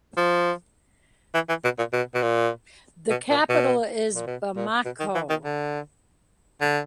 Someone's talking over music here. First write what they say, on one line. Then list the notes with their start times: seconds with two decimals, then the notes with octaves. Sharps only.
The capital is Bamako.
0.17 F3
1.34 E3
1.49 E3
1.64 B2
1.78 A#2
1.93 B2
2.14 B2
2.22 A#2
3.10 B2
3.30 A#2
3.49 B2
4.14 A#2
4.27 B2
4.56 A#2
4.85 B2
5.00 D#3
5.15 E3
5.30 D#3
5.45 D3
6.61 D3